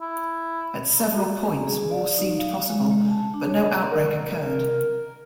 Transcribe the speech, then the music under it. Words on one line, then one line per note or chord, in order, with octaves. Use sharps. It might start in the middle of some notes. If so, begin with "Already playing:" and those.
At several points war seemed possible, but no outbreak occurred.
E4
A#5
F#4
A#5
G#4
D5
D#4
F5
G#3
G#3
A5
D4
C#5
A#4